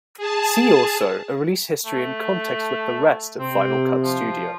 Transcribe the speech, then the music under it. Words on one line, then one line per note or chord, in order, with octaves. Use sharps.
See also a release history in context with the rest of Final Cut Studio.
G#4 A5
A3
C3 C4
F3